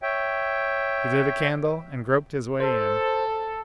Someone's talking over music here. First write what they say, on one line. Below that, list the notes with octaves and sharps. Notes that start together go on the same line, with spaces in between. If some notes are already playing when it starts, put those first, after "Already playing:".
He lit a candle and groped his way in.
C#5 E5 G5
A4 C5